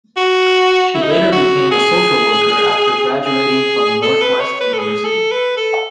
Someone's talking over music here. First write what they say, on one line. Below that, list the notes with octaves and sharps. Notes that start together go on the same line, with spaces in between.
She later became a social worker after graduating from Northwest University.
F#4
E4
D#4
E4
F#4
G#4
G#4
A4
B4
C#5
B4
A4
G#4
A4
B4
A4